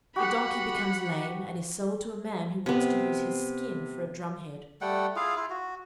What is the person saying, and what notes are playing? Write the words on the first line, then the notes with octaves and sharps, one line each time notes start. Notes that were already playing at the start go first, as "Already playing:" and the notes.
The Donkey becomes lame and is sold to a man who wants to use his skin for a drumhead.
F#4 G4 F#5 B5
C3 B3
G3 A3 F#5 G5
E4 F4 G#4 F5
E4 F4
F#4